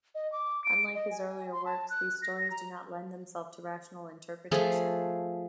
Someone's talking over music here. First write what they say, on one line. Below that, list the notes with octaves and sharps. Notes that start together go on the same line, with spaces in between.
Unlike his earlier works, these stories do not lend themselves to rational interpretation.
D#5
D6
D7
D#5
G#5
C6
A5
F#6
A#6
A#5
F3 A3 F4 G#4